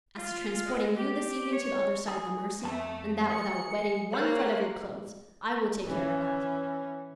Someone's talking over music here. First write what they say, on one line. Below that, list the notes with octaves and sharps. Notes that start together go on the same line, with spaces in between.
As to transporting you this evening to the other side of the Mercy, and that without wetting one thread of your clothes, I will take care of that.
F4
G#3
G4
C#5
G#4
F2 A3 A5
G#4 C#7
A#3 G4 C5 C#5 F#6
E3 C#4